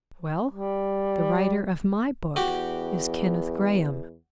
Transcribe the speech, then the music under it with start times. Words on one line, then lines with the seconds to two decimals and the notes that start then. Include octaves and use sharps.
Well, the writer of my book is Kenneth Grahame.
0.50 G3
2.36 E2 F#4 G4